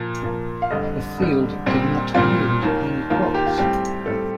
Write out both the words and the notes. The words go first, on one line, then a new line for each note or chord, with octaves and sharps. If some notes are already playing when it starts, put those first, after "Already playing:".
The field did not yield many crops.
Already playing: A#2 F3 A#3
A#2 F3 A#3
F5
F2 D3 G3 D#5
F2 D3 G3
A#2 G3 C4
A#2 G3 C4 F4
D#2 D#3 A#3
D#2 D#3 A#3 F4
F4
G4
F4
A2 G3 C4 G4
A2 G3 C4 A4